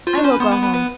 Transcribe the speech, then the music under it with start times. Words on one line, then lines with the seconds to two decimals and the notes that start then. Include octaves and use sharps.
"I will go home."
0.07 F4 C5
0.15 D4 C#5
0.24 C#4 C5
0.32 B4
0.40 B3 C5
0.51 B4
0.63 B4
0.74 B4